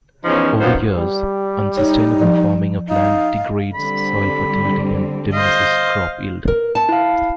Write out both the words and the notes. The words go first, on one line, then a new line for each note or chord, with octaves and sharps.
Over years, unsustainable farming of land degrades soil fertility and diminishes crop yield.
E2 C#3 F3 C#4 D#4
F#2 D#3 F#3 B3 F4 C5
G3
D#4 C#5
F3
D#4 F5
D3 G3 C4 B5
C5 D#5 F5
A#4
A5
E4 F5